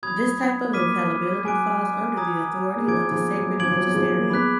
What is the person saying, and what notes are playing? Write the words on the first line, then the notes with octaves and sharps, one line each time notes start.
This type of infallibility falls under the authority of the sacred magisterium.
F#3 B5 D#6 G#6
F#3 A#3 D6 F6 B6 D#7
F#3 G#5 D6 F#6 D7
A#5 D#6 G#6
A#3
F3 G#3 D6 G#6 D7
F3 G#3
F#3
F3 D6 G#6 D7 F#7
F3
F#3
F3 G#3
F#3 A#3
G#3 B3 B5 D6 F#6 B6